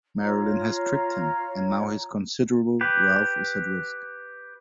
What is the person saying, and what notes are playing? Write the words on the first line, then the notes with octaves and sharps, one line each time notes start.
Marylin has tricked him, and now "his" considerable wealth is at risk.
F4 C#5 A#5
G4 B4